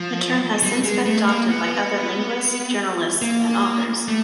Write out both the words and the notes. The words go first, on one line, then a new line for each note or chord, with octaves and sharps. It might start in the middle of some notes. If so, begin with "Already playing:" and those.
The term has since been adopted by other linguists, journalists, and authors.
Already playing: F3
G3
G#3
A3
A#3
B3
A#3
A3